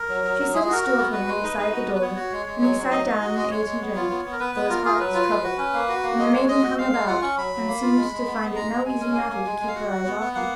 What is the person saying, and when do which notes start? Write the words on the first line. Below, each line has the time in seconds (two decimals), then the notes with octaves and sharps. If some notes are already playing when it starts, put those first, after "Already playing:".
She set a stool for him beside the door and he sat down and ate and drank, though his heart was troubled; and the maiden hung about, and seemed to find it no easy matter to keep her eyes off him.
Already playing: A#4
0.09 F#3
0.24 F#3
0.39 F#3
0.53 G#3 G#4
0.64 G#4
0.68 F#4 A#4
0.83 F#4
0.98 B3
1.12 F#4 B4
1.27 G#3
1.43 D#4
1.58 D#4
1.72 F#4
1.87 B3
1.95 B4
2.02 B3 C#5
2.16 F#4
2.32 G#3
2.46 G#3
2.61 F#3 C#5
2.76 F#3
2.91 D#4 D#5
3.06 D#4
3.21 F#4
3.35 G#3 D#5
3.50 G#3 C#5
3.65 G#3
3.81 B3
3.96 F4
4.10 B3
4.25 B3
4.32 A#4
4.40 B3 B4
4.55 B3
4.69 F4 A#4
4.85 F4 G#4
4.94 A#4
4.99 F#3 B4
5.14 F4
5.29 G#3
5.44 F#4
5.58 C#4
5.74 A#3
5.89 F#4
6.03 A#3
6.19 G#3 D#5
6.33 G#3 C#5
6.48 G#3 D#5
6.62 F#4
6.78 G#3 F5
6.92 G#3
7.07 F4 F#5
7.22 C#4 C#6
7.37 F#3 B5
7.53 F#3
7.68 A#3
7.82 F4
7.97 G#3
8.12 G#3
8.26 B3
8.42 B3
8.56 G#3 A#5
8.71 G#3
8.85 G#3 G#5
9.01 C#4
9.15 A#3 G#5
9.31 A#3
9.46 G#3
9.61 G#3
9.68 F5
9.75 F#4 F#5
9.90 F#4
10.05 B3
10.20 B3
10.35 A#3 F#5